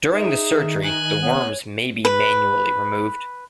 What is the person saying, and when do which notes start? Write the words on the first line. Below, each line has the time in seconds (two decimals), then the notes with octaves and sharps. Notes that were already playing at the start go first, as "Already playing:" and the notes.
During the surgery the worms may be manually removed.
0.12 D#4 G#4 E5
0.52 D#3
0.83 G#5 F#6
1.22 B3 C#5
2.05 B4